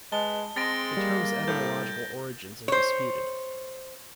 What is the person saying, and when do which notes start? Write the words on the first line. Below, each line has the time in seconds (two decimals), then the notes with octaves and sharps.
The term's etymological origins are disputed.
0.12 G#3 B4 A5 G7
0.57 G#3 C4 A6 A#6 D7
0.97 G3 A#3
1.48 A2 G6
2.68 C5 C#5